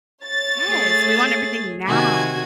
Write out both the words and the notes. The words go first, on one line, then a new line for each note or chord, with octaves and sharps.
Yes, we want everything now.
C#5 A6
A3 G#4
C3 D#3 F#4 G#5 G#6